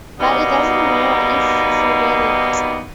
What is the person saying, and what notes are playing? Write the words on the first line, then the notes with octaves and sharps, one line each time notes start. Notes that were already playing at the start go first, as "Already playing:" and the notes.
But it doesn't matter if you forget it.
B2 D#3 G3 A#3 B3 D#4